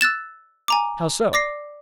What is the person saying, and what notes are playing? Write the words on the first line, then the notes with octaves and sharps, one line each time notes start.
"How so?"
E6 F#6 A6 E7
G#5 A#5 D6
D5 D6 A#6 C7